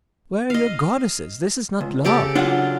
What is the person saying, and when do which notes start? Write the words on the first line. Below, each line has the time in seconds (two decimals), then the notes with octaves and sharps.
Where are your goddesses? This is not love.'...
0.50 D#5 F5
1.81 C#2
2.05 C#3 G4 A4
2.35 F#3 D4 F4 F#5